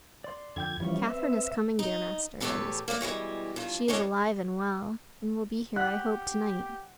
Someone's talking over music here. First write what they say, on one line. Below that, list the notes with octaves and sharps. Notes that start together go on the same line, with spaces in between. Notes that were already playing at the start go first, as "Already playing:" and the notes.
'Catherine is coming, dear master!' I whispered; 'she is alive and well; and will be here, I hope, to-night.'
D5 C6
F2 D3 G5 G6 G#6
E3 F3 G3 C#4 C#6
C4 B4 E5
D#4
E2 A2 D#3 G4 A4 B4
A#3 D5 E5 F#5
B2 E3 G3 G#3
G2 F3
G#2 E3 G#3 C#4 D4
G4 F#5 F#6 B6